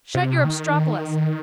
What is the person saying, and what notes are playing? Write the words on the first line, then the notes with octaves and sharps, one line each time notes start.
Shut your obstropolos.
C3
D#3